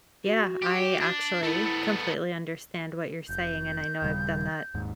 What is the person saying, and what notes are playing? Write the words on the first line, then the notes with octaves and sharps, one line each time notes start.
Yeah, I actually completely understand what you're saying, and I know I've done that
F#4
G4
D4
A3 B3 E4
F1 G6
D#1 C#3 G3
D#1 D#2 G#2